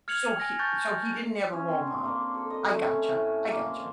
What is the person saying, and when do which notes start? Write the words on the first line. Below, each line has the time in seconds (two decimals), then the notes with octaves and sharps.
So he so he didn't have a role model. I gotcha, I gotcha.
0.08 F6 G#6 C#7 F7 F#7
0.40 G#5 F6 A#6
0.59 A5 C#6 F#6 G6 A6
1.53 C#4
1.68 C4
1.87 D4
2.05 A#3
2.34 A4
2.50 D#5
2.66 A3
2.88 C#4
3.11 A2
3.49 A#3
3.68 C5